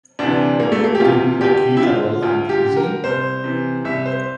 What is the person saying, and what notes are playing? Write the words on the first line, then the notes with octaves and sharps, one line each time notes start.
Didn't make you at all uneasy?
D2 C3 E3 D4
E1 A#3
A3
A#3
G4
D2 C3 E3 F4
D2 G4
E4
D3 F4
D2 F4
G4
D3
A#4
C2 C5
C3 E3
C2 E5
C5